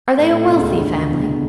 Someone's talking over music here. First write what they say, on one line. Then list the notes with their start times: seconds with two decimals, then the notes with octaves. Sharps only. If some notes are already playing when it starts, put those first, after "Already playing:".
"Are they a wealthy family?"
0.18 A2
0.32 A2
0.49 B2
0.58 C#2 C#3
0.68 E2 E3
0.79 D2 D3
0.95 C#2 C#3
1.10 B2
1.26 B2